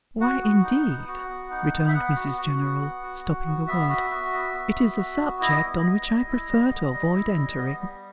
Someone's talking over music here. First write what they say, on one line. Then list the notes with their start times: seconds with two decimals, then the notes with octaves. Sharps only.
'Why, indeed,' returned Mrs General, stopping the word, 'it is a subject on which I prefer to avoid entering.
0.21 F#4 F#5
0.42 B3
0.64 D#4
0.86 B3
1.07 F#4
1.29 B3
1.51 D#4
1.72 B3
1.88 E5
1.94 B3 F#5
2.16 F#4
2.37 F#4
2.58 B3
2.80 B3
3.03 F#4
3.24 F#4
3.46 B3
3.68 B3 E5
3.89 F#4
4.11 F#4
4.33 B3
4.54 B3
4.76 F#4
4.97 F#4
5.20 B3
5.41 E4 D#5
5.63 G3
5.85 B3
6.06 G3
6.27 E4
6.49 G3
6.70 B3
6.93 G3
7.14 E4
7.36 G3
7.57 B3
7.79 G3